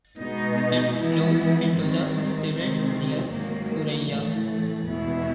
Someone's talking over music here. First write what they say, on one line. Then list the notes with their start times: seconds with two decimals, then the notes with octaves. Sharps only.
It flows into the Siret near Suraia.
0.17 B2 G#3 B3 D#4
0.95 E3 G#3 B3 E4
1.74 G#2 D#3 G3 C4
2.52 C3 D#3 G#3 C4
3.30 G#2 D#3 F#3 A#3
4.07 A2 E3 A3
4.86 E2 B2 G#3 B3 E4